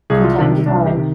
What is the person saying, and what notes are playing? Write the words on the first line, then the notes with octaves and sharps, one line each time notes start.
from time to time,
C2 G#4
F4
C3 D#3 D4
C2 D4
G4
C3 D#3